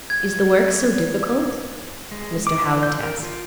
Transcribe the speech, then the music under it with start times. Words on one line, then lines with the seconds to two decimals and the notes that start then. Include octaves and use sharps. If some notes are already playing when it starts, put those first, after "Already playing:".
"Is the work so difficult?" Mr. Howitt asked.
0.10 G#6
2.12 G#3
2.47 D6
2.64 E3
2.83 G6
3.00 A#4
3.23 F4